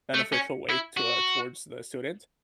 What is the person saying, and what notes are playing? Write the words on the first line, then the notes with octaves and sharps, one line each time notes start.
beneficial way to, uh towards the student
A3
C#4
E4
F#4